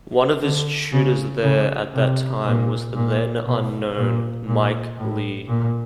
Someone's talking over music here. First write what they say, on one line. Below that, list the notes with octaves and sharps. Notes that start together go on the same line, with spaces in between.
One of his tutors there at that time was the then unknown Mike Leigh.
D3
C#3
C#3
C3
A#2
A#2
B2
A#2
A#2
A2
A#2